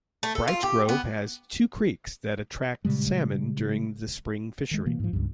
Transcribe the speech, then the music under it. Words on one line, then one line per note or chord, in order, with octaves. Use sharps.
Brights Grove has two creeks that attract salmon during the spring fishery.
A3
A4
F4
G4
B3
A#2 C#3 G3 G#3
D#3 G#3
B2 E3 A#3
G#2 F3
C#2 G2